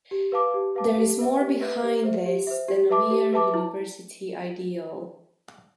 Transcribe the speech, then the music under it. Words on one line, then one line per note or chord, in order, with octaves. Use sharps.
There is more behind this than a mere university ideal.
G4
B4 F5 A5 D6
G4
B4 F5 A5 D6
G4
B4 E5
G4
B4 E5
G4
C5 E5
G4
C5 E5
G4
B4 E5 A5 D6
G4
B4 E5 A5 D6
E4